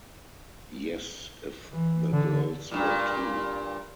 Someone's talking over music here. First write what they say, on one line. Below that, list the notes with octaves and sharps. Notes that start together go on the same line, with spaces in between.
Yes, if the girls will too.
E3
D3
G2 A#2